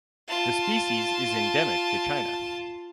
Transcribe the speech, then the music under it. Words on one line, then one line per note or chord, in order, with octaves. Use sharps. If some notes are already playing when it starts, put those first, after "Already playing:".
The species is endemic to China.
F4 A5